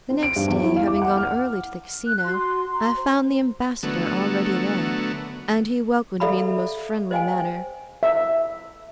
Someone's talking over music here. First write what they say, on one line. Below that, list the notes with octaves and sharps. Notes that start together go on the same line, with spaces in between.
The next day, having gone early to the casino, I found the ambassador already there, and he welcomed me in the most friendly manner.
C4
D7
G2
E2
E4
F5
D6
F#5
F6
F#6
F#4 C6
A#5 C6
C5
D3 F#3 A3 B3
A4 D5 E5 F5 A#5 B5
C5 D#5 F5 G5 G#5
E5